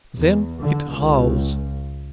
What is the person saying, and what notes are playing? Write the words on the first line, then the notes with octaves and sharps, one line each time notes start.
Then it howls!
E2
D3
C#2